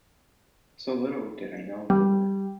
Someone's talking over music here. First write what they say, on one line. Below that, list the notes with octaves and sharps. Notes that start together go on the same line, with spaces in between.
So little did I know of the world!
G3